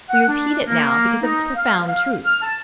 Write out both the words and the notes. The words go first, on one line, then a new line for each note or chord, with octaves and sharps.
We repeat it now because of its profound truth.
F#5
D4
A#3
D#4
F5
F5
F6
A5